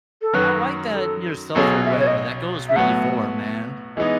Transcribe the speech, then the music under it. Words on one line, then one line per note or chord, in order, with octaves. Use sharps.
I like that you're self-aware. That goes really far, man.
A4
F#2 D#3 F#3 C#4 F#4 B4
A4
B1 B2 F#3 C#4 G#4 A4
E5
D#5
C#5
D#5
E5
A2 F#3 B3 F#4 F#5
E3 G#3 B3 D#4 D#5